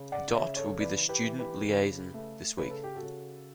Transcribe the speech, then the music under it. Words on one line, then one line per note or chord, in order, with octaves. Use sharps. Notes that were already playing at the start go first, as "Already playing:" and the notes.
Dot will be the student liaison this week.
Already playing: C#3
D5 F#5
C#3 C#5 E5
A4 C#5
E3 B4 D5
G4 B4
E3
G4 B4
C#3
A3
C#3 B4
A4
G4
F#4 A4
C#3